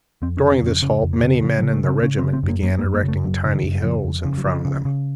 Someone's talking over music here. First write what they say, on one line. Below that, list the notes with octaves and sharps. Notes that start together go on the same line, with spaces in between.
During this halt many men in the regiment began erecting tiny hills in front of them.
F2 C4
C#4
C#3
C#4
F2 C#4
C#3 C#4
F2
A#3
C#3
C#3 F3
F#3
C#3
A3
C#3 C4
C#3 C#4
C4
C#3
C4
F#2
A#3
F#2 A#3
A#3
F#2
A#3
C#3
A3
F#2 F#3
C#3
D#3
F#2
C#3 F3
F2
C#3
F#3
C#3 F3
C#3
C#3